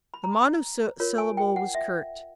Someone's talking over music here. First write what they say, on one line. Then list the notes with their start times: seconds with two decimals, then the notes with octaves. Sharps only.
The monosyllable was curt.
0.14 B5
0.24 A#5
1.00 F4 A#4 C#5
1.18 G#5
1.37 G5
1.56 F#5
1.75 E5